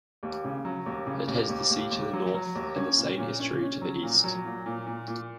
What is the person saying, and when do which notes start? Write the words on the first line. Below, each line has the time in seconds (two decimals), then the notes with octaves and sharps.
It has the sea to the North, and the Seine estuary to the East.
0.23 D#2
0.44 C#3
0.65 F#3
0.86 D#2
1.06 C#3
1.28 D#2
1.49 D#2
1.70 D#2
1.91 D#2
2.13 F#3
2.34 F#3
2.55 D#2
2.76 C#4
2.97 A#2
3.18 A#2
3.40 C#4
3.61 C#4
3.82 F#3
4.03 A#2
4.24 F#3
4.45 A#2
4.66 A#2
4.87 A#2
5.08 A#2